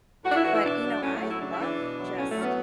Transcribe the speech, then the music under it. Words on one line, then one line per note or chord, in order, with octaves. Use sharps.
But, you know, I love just
A2 F#4
D4
E4
E3 F#4
E4
B2 D4
F#3
A2 C#4
A3
F#3
E4
C#3 D4
E4
E3 D4
B2
F#3
A2 C#4
A3
F#3 C#4
B3